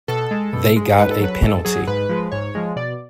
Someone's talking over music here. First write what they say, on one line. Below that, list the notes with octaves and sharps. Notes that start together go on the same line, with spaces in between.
They got a penalty.
B2 A4
G#3
B2
G#3
G#2 B4
A4
F#3 B4
G#2 A4
F#3 G#4
G#2 B4
F3 G#3
G#2 C#5
F3 G#3
B2 D5